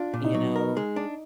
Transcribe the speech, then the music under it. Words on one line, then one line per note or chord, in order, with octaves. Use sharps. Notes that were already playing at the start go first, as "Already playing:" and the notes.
you know?
Already playing: D4 F4
A#2
D#4
F#3
A#4
G#3
D4